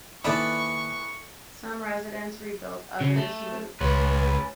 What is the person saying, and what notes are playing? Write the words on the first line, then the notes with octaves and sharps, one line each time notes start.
Some residents rebuilt, others moved.
D#3 E3 A#3 B3 A4 D5 E5 C#6
C#3
A3
C#2 C#4 B4